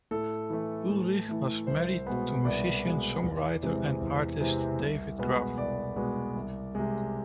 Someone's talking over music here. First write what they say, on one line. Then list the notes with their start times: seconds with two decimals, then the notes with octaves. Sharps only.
Ulrich was married to musician, songwriter and artist David Graff.
0.11 A2 A4
0.50 E3 A3
0.89 A2
1.28 E3 A3
1.67 C2 C5
2.06 B2 G#3 B3
2.45 C2 D5
2.84 B2 G#3 B3
3.24 E2
3.62 C3 E3 G#3 C4
4.01 E2
4.40 C3 E3 G#3 C4
4.80 C2
5.19 B2 G#3 B3
5.57 C2 D5
5.96 B2 G#3 B3
6.36 C2
6.75 C3 G#3